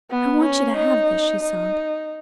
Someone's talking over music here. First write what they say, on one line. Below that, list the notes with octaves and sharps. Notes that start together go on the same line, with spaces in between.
"I want you to have this," she sobbed.
B3
C#4
D#4
D#4